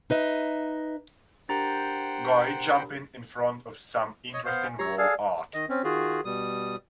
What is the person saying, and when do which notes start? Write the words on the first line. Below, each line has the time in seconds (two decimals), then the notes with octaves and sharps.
Guy jumping in front of some interesting wall art.
0.10 D#4 B4 D#5 E5
1.49 D4 G4 A#4 C5 F#5 G5 A#5 A6
4.34 C#5 D#5
4.45 B3 C5 F5
4.65 G#5
4.79 G4 C#5 A#5 E6
4.98 G#4 A4 D5 F5
5.54 D#3 D#5
5.69 C4 C#4
5.84 D#3 F4 F#4 G#4
6.25 B2 G3 D#6